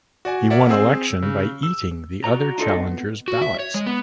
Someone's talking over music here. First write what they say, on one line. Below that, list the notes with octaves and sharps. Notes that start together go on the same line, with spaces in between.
He won election by eating the other challengers' ballots.
F#4 D5 G#5
A#4 C#5 D5 E5 F#5
C4 G#4 E6
C#3
E6
F#4 D5 A#5
D4 F4 A4 D#5
B3
F#4
E5
C#5
G#3
B3